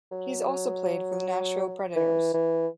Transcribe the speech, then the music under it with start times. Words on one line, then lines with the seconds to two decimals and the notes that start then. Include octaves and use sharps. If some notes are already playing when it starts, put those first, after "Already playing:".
He has also played for the Nashville Predators.
0.11 F#3
0.48 F#3
1.96 E3
2.34 E3